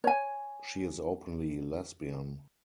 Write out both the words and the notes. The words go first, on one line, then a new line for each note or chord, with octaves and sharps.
She is openly lesbian.
C#5 G#5